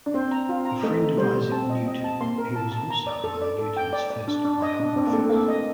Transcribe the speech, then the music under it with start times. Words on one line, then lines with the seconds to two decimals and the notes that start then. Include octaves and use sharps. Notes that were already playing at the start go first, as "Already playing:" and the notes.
A friend of Isaac Newton, he was also among Newton's first biographers.
0.06 D4
0.14 C4 C5
0.31 A#5
0.49 F4
0.65 A#5
0.83 A3 D#5
1.00 A#5
1.17 G3 C5
1.35 C5
1.52 C4 A5
1.70 D#5
1.87 D#5
2.04 A5
2.21 A#3 C6
2.38 A#4
2.56 A5
2.72 A5
2.90 A#5
3.07 D5
3.24 A4
3.42 D5
3.59 A4
3.77 G5
3.93 D5
4.10 D5
4.28 D4
4.45 D4
4.62 D#5
4.80 D4
4.96 C4 D4
5.07 A#3
5.13 A3 A4
5.29 A#3 A4
5.48 D#5